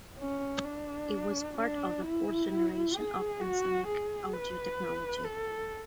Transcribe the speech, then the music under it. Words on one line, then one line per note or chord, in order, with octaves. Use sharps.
It was part of the fourth generation of Ensoniq audio technology.
C#4
D4
D4
E4
G#4
F#4
G#4
B4
A4